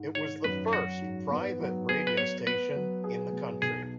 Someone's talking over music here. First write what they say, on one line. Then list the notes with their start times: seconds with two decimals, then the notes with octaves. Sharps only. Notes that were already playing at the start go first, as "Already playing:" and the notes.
It was the first private radio station in the country.
Already playing: G#2
0.15 D#3 C#5
0.44 F#2 B4
0.73 F#3 F#4
1.02 G#2
1.31 B3
1.60 F#3
1.89 B3 G#4
2.07 B4
2.17 B3 C#5
2.46 B3 B4
2.75 F#3
3.04 G#4
3.33 B2
3.62 B1 G#4